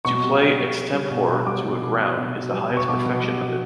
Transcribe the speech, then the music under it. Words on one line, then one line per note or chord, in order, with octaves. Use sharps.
To play extempore to a ground is the highest perfection of it.
B2 C#6
G3
G3
G3
G3
G3
B2
B2
G3 D6
B2
B2
B2
B2
B2
G3
B2
C#6
B2 D6
B2
G3
B2